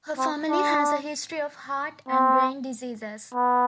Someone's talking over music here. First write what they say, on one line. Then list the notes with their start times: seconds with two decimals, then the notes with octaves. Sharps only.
Her family has a history of heart and brain diseases.
0.18 C4
0.50 D4
2.09 C4
3.34 B3